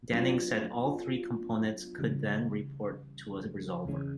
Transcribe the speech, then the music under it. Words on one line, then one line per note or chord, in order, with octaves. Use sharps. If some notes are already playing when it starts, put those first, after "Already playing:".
Denning said all three components could then report to a resolver.
F#3 B3 D4 F4
C#3 E3 G3
E2 C#3 E3 G#3 C#4